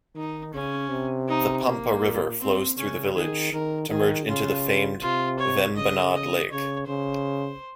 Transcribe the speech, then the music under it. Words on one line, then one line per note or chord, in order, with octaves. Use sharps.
The Pampa river flows through the village to merge into the famed Vembanad Lake.
D#3 D#4
C#3 C#4
C3
D#4
A#3
A#2
C4
C#3 C#4
D#3 G#4
D#3 A#4
D#3 G#4
C#3 F4
C3 F4
C#5
C#3 D#5
D#5
C#3 C#5
C#3 C5